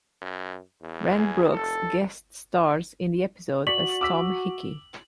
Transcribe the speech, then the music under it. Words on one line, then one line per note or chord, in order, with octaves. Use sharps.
Rand Brooks guest stars in the episode as Tom Hickey.
F#2
E2
G#4
F1 A4
F#4 D5 C#6 B6 F#7
D6 E6 B6